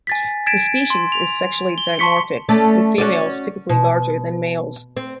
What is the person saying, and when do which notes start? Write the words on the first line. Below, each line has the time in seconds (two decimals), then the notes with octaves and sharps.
The species is sexually dimorphic, with females typically larger than males.
0.07 G#5 A6 B6
0.47 G#6 A6 B6 D7 E7
0.90 C6
1.12 F7
1.78 G7
1.99 A5 C6 C#6 B6 C#7
2.49 A3 C#4 D5
2.98 C#4 F#4 D5
3.69 B2
4.97 C4